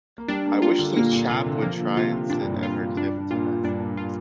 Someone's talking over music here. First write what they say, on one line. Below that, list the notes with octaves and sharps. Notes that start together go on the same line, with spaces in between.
I wish some chap would try and sit at her table tonight.
A#3
G3 D4
A#3
F4
D3
A#2 A#3
A#2
C3 F4
D3
F3 A#3
D3
C3 F4
C3
A#2 D4
G2
A#2
F4
G2 D4
A#2 F4
G2 D4
A#2
A#2 F4